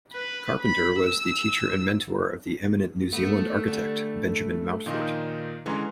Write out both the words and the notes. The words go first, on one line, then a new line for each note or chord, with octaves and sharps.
Carpenter was the teacher and mentor of the eminent New Zealand architect Benjamin Mountfort.
B4
B5
E6
A3 B3
D3 G3
A#2 D#3 F3 D4 D#4 F4
D3 E3 G#3 C#4 A#5 C6